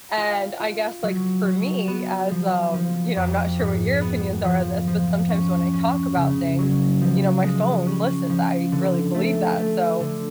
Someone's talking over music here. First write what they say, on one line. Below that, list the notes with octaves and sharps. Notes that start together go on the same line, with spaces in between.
And I guess, like, for me as, um, you know I'm not sure what your opinions are on this, but sometimes when I talk about things, you know, my phone listens. I really believe that, so,
F4
F4
F#3
F#3
B3
F3
F3
F2
G#2
B3
F3
F3
C#4
C#4
C#3
F#3
F3
G#3
C#4
F3
D3
A3
A3
D3